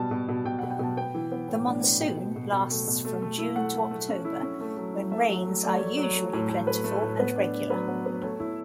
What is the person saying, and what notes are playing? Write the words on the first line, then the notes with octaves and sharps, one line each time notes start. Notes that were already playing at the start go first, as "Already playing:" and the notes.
The monsoon lasts from June to October, when rains are usually plentiful and regular.
Already playing: B2 G3 A5
B2
B2
B2 G5
F#5
B2
G5
B2 A5
B3 G5
E3
B3
A2
D4
B3
B2 G5
B2
B2
B2
A3
B2
A3
A3
E4
A3 F#5
A3
A3
C#4
E4
C#4
A3
F#3
E4
A3 E5
F#3
A3
A3 D5
A3 C#5
F#3
C#5
A3
A2
A2
A3 B4
A3
A2
B3 B4
D4
D4
F#3 B4
B3
B3
A3 C#5
E4